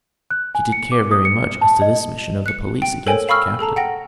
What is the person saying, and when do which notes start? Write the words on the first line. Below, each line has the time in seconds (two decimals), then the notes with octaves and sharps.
But she did care very much as to this mission of the police against her Captain.
0.30 F#6
0.55 G#5
0.72 C#7
0.92 D6
1.11 D#6
1.25 C#7
1.61 A5
1.82 D#5
2.46 F#6 C#7
2.82 G5
3.07 A4 A#4 C5 C#5 G5 G#5
3.29 F5 B5 C#6 E6 F6
3.59 G#4 A4 A5 A#5
3.76 F#5 G5 A#6